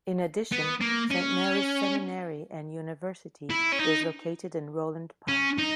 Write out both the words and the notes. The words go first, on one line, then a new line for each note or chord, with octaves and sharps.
In addition, St. Mary's Seminary and University is located in Roland Park.
B3
A#3
C#4
E4
C#4
D#4
C#4
D#4